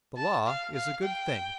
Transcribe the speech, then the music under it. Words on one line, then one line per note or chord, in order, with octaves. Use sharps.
The Law is a good thing.
A5
F5
F5
G5